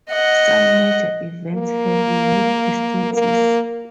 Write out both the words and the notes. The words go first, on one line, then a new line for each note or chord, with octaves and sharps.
Some major events have unique distances.
D#5 F#5
A#3
A#3